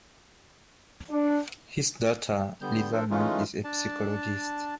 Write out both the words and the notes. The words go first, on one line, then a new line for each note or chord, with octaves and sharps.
His daughter, Lisa Mann, is a psychologist.
D4
D3 G3 B3 G6
F3 D4 A4 A#4 C5
E3 G#3 A3 C#4 D#4 F4
D4 D5 A5